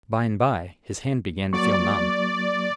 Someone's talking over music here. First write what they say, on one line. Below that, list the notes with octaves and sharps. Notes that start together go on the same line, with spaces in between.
By-and-by, his hand began to feel numb.
F#3 A#3 D5 C#6